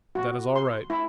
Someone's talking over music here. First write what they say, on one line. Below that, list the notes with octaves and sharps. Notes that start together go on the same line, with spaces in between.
"That is all right."
F#4
C6
E4